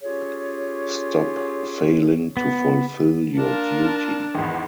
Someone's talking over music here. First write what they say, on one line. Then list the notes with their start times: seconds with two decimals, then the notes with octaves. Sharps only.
Stop failing to fulfill your duty.
0.03 C#4 F4 G4 G#4 C#5
2.37 B3
3.37 A#3 D4 F4 A#4 A5
4.35 G#1 E2 G#3 B3